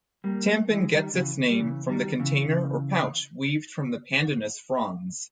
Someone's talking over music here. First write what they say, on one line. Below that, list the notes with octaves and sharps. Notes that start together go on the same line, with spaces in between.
Tampin gets its name from the container or pouch weaved from the pandanus fronds.
G3 A#3
E3 G#3
D#3 G3
C#3 E3
G3
C#3 E3
D#3 G3
C#3 E3